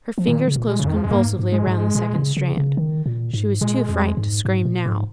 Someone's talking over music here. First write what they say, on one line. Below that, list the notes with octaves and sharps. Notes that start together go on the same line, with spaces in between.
Her fingers closed convulsively around the second strand. She was too frightened to scream now.
F3
A#2 D#3
C#3
A#2
G#3
C#3
F2 D#3
F3
F2 G#3
G#2 A#3
G#2
G#3
G#2
A#2
C#3
C#3
C#3
D#3
A#2
G#2
A#2 G#3
F2
G#2
G#2
A#2
G#2